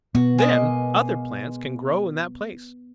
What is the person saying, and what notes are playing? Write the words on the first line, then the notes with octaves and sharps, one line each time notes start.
Then other plants can grow in that place.
B2 B3 F#4
G#3 A#3 D#5